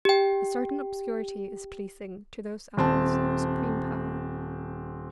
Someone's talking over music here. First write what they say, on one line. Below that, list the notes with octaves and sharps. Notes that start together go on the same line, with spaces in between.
A certain obscurity is pleasing to those owls of supreme power.
G4 G5
D#1 C4 A5